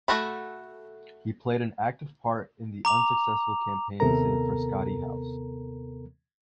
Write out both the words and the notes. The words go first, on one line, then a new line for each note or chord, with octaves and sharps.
He played an active part in the unsuccessful campaign to save Frescati House.
A3 C#4 F#4 A4 B5
A#5 D6 F7
D#2 C3 B3 A4 A#4 A#5